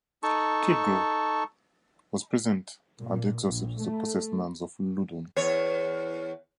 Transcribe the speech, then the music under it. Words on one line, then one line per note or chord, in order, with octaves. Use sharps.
Killigrew was present at the exorcism of the possessed nuns of Loudun.
D#4 A4 A5 C#6
A#2
A#1
A3
E2 C#5